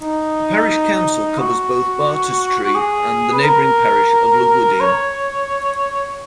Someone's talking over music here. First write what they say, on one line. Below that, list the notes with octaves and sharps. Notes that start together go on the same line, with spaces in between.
The parish council covers both Bartestree and the neighbouring parish of Lugwardine.
D#4
F#4
F#4
G#4
B4
A#4
C#5